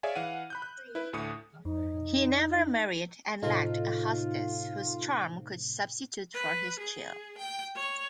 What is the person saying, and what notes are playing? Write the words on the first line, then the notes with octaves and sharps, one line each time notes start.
He never married and lacked a hostess whose charm could substitute for his chill.
G#4 C#5 D5 E5 F5 G#5
E3 F5 F#5 D#7
B5 F#6 G6
F#6
E4 B4
D2 A2 D#6 C#7
F2 D#4
A2 C3 D#4 F4 A4 F5
B4
G#4
G5
C#5